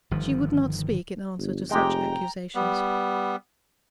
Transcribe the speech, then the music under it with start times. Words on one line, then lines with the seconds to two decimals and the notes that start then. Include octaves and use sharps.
She would not speak in answer to such accusations.
0.11 G1 D#3 F3
1.38 G1
1.71 F1 G#3 G4 G5 A#5
2.55 G3 B3